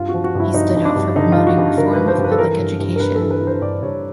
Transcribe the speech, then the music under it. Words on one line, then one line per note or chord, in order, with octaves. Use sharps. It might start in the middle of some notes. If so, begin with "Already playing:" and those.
He stood out for promoting reform of public education.
Already playing: G2 F4
F#4
F3
F#4
G2 E4
G2 D#4
G2
D4
G2
D3 D#4
G2 F4
F#4
G2
D3 A#4
B4
F3
C5
G2
B4
A4
E3 A#4
G2
G2
A#4
G2 B4
A4
E3
B4
E3
C5
G2 D5
G2 C#5